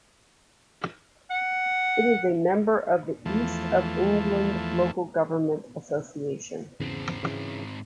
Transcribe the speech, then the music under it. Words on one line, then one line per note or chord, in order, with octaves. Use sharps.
It is a member of the East of England Local Government Association.
F#5
E2 F3 A3
E2 G#2 C#3 C4
C#3 E3